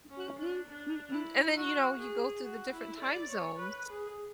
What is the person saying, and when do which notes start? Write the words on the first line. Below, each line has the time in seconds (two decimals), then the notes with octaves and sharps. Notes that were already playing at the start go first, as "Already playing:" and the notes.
Mm-mm, mm-mm, and then, you know, you go through the different time zones.
0.10 C#4
0.39 D4
0.68 D4
1.12 E4
1.56 F#4
1.99 G#4
2.43 F#4
2.71 E4
3.01 D5
3.29 C#5
3.59 B4
3.88 G#4